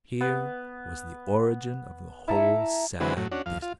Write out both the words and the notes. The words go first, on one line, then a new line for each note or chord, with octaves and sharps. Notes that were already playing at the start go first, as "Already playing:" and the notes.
Here was the origin of the whole sad business.
B3
E4 E5 A5 A#5
D3 E3 G#3 C4 F#4 B4
A2 F#3
C#4 D4 F#4
F2 F5
F4